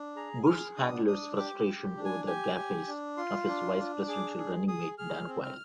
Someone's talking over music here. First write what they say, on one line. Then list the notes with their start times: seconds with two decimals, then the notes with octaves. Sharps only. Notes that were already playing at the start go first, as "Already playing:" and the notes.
Bush's handlers' frustration over the gaffes of his vice presidential running-mate Dan Quayle.
Already playing: D4
0.16 G#4 A#5
0.46 G#4 F6
0.77 D4 D#6
1.07 D4 D#6
1.37 G4 D6
1.60 D6
1.67 G4
1.97 D4
2.05 G#5
2.27 G4 G#5
2.57 G4
2.87 D4
3.17 F4 C6
3.48 D4
3.78 D4
4.07 G#4 D6
4.37 G#4
4.68 G#4 D#6
4.98 G#4 F6
5.28 C4
5.43 F6